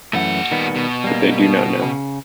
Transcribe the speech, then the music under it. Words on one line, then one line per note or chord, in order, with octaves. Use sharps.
But they do not know.
F#2 A#2 E3 A3 F#5
D#3 G3 B3
B2
G3 A#3
C#3